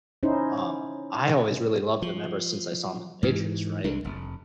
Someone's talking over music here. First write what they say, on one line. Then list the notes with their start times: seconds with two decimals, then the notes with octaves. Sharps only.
um, I always really loved him ever since I saw him in The Matrix, right? And
0.23 C#4 D#4 E4 C5
2.02 F3
3.23 G#2 E3
3.84 C2 G#3 D4
4.04 F1